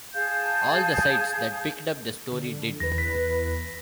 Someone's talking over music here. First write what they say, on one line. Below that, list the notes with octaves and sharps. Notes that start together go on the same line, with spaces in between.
All the sites that picked up the story did.
G#4 F5 A5 G6
D3
E2 B4 A#6
B6